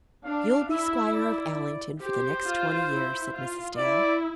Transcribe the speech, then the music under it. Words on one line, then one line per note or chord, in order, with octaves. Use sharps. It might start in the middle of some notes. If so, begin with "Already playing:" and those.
"You'll be squire of Allington for the next twenty years," said Mrs. Dale.
D4 F5
E4 E5
D5
G4 C5
F4
E4
F4
E4 D5